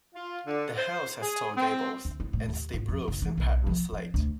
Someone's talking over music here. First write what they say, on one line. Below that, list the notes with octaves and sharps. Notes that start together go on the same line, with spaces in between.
The house has tall gables, and steep roofs in patterned slate.
F4
D3
C5
G#4
C4
D2
E4
A2
D#2
G#1
F2
F#1
E3
B1
F3
F3
D2